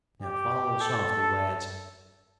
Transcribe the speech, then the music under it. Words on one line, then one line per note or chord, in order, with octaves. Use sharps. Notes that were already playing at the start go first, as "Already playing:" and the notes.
Now follow softly, lads!
G4
A4